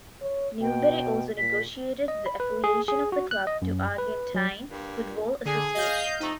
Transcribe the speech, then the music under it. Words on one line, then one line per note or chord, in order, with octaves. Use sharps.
Newbery also negotiated the affiliation of the club to Argentine Football Association.
C#5
B2 G5
A#2 B6
D#5
B5
B4
G#4
G#4
F#4
F#6
D#5
F#2
B4
F#3
G2 A#2
D3 G#4
D#5 F5 G6
C3 F3 A3 D#4